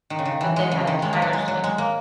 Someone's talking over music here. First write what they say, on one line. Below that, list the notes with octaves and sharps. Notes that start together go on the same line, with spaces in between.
But they had a tire swing,
D#3
C#3
D#3
E3
G#3
C#3
D#3
G#3
A#3
F#3
G#3
F#3
G#3
A#3